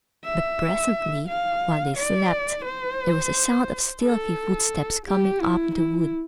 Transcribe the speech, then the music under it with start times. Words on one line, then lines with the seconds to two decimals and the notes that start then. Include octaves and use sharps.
But presently while they slept there was a sound of stealthy footsteps coming up the wood.
0.25 E5
1.28 F5
1.97 D5
2.65 C5
4.03 A4
5.07 G4
5.41 E4
5.75 E4